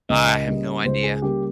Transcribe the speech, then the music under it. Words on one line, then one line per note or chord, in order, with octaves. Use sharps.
I have no idea.
C#2 D#5
C#3 G3 A#3
C#2 C5
G#4
C#3 G3 A#3 G4